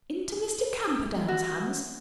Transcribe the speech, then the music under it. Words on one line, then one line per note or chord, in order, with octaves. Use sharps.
"Into Mr. Camperdown's hands!"
F#4